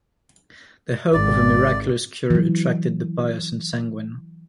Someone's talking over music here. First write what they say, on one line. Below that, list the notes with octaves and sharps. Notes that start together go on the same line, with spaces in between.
The hope of a miraculous cure attracted the pious and sanguine.
G#1 D5
E3 F#3